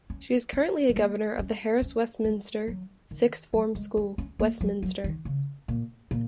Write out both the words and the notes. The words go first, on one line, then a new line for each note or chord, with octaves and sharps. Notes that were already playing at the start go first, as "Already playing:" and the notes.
She is currently a governor of the Harris Westminster Sixth Form School, Westminster.
C#4
C#4
G#3
A#3
C#4
C#4
G#3
F#3
D#3
F#3
G#3
C#4
C#4
A#3
F#3
F#3
D#3
C#3
A#2
A#2